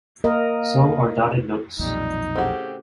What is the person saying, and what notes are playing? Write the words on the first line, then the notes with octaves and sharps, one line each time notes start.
So are dotted notes.
A#3 A#4 D#5
B1 F2 A#2 G3 D#4
A2 C#3 C4 F#4 G4